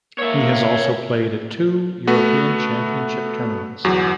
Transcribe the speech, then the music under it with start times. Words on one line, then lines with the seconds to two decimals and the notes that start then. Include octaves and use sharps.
He has also played at two European Championship tournaments.
0.18 A#3 C#5 E5
2.07 A3 B3 F#4
3.84 G1 E2 F#3 F#4